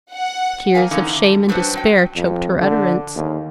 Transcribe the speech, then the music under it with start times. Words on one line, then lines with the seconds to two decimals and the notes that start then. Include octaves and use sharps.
Tears of shame and despair choked her utterance.
0.12 F#5
0.74 E2 A#4 F5 G#5
0.91 A#2 D3 E3 C#4 D#4
1.16 D3
1.49 F#3 G3 D4 B4 C5
1.74 F#3 C4 G5
2.16 F2
2.60 D3
3.15 D#2